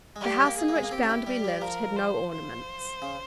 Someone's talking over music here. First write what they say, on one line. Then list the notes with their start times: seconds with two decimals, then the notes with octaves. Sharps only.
The house in which Bounderby lived had no ornaments.
0.16 G#3
0.21 G3 G4
0.41 G#3
0.46 A#3
0.57 G#4
0.68 A#3
0.76 G#3
0.83 A#3
0.91 C4 G4
1.03 C#4
1.09 E4
1.27 G3 G4
1.44 G3
1.61 F3 A#4
1.96 C5
2.32 C5
3.02 C#3